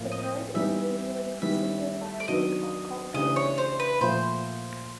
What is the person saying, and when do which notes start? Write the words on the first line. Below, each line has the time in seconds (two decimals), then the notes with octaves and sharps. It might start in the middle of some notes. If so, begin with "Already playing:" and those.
The parade is usually preceded by a week of cultural events.
Already playing: A2 F3 A#3
0.12 D#5
0.54 E3 G3 B3 D#4 E5
1.41 D#3 G3 B3 E4 E5
2.20 D5
2.28 D#3 F#3 B3 D4 F#4 D#5
3.14 C#3 E3 A3 D4 G4 D#5
3.36 C#5
3.58 C5
3.80 B4
4.01 A#2 F3 A3 C5